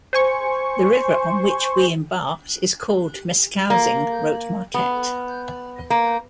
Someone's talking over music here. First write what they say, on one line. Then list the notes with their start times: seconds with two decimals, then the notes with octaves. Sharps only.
"The river on which we embarked is called Meskousing," wrote Marquette.
0.13 C5 G#5 C#6
3.70 A#3
4.74 B3
5.90 A#3